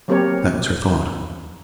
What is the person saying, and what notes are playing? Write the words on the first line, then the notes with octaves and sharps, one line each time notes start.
That was her thought.
F#3 A#3 C4 G4 A#4 C#5